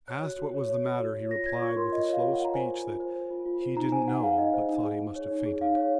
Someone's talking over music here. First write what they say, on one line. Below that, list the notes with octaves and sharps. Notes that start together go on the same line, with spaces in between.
Asked what was the matter, he replied with a slow speech that he didn't know, but thought he must have fainted.
C#5 F#6
F#4
F#4
C#5
C#5
F#4
F#4
C#5
F4 A#6
C#5 G#6
F4 C#6
A#4 C6
F4 D#5
C#5 F5
F4
F#5
A#4
A#5
C5 G#5
F4
F4
C5
C5
F4
F4
C5
D#4 A#5
C5 G#5
D#4 F#5
G#4 F5
D#4 D#5
C5
D#4
G#4
D#4
C#5
D#4
G#4
D#4 F5
C#5